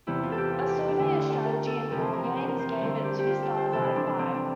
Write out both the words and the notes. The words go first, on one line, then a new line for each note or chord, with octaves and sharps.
A survey of strategy and war games gave it two stars out of five.
E2 C3 E3 E4
F4
A4
G4
F4
G4
F4
D4
D2 D3 E4
F4
A4
A#4
A4
F2 C3 E3 A#4
C5
A#4
A#4
C5
A#4
C5
A#4
G2 D3 A#4
G4
G4
F4
A4
C5
F2 C3 E3 A4
E4
D4
D4
C4
D4